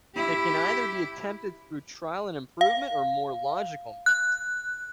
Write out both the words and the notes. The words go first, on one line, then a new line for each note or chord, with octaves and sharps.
It can either be attempted through trial and improvement or more logical means.
E4 G4
F5
F#6